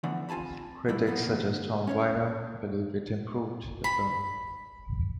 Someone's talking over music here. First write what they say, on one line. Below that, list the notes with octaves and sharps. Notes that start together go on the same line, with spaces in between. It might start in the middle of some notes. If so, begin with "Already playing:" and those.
Critics such as Tom Wiener believe it improved the film.
D3 E3 F3 A3 B3 D4
C4 F4 G#5 A5 B5
G3 A3 E4
F3 A#3 B3
D2 A#3
C#4 C#5 F5
B5